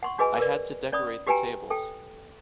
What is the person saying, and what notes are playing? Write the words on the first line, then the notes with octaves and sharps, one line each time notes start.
I had to decorate the tables.
F#5 C6 C#6
D4 F#4 G#4 B4 D#5 G#5
A#4 B4 D5
C#4 D5 B5 D#6
F#4 G4 B4 G5 G#5 A#5
A4 G5